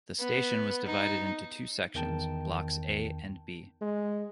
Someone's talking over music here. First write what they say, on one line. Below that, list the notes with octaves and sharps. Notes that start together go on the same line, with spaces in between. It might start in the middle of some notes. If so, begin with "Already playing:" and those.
The station was divided into two sections, Blocks A and B.
B3
D#4
E2 D#3 G5 A5
G#3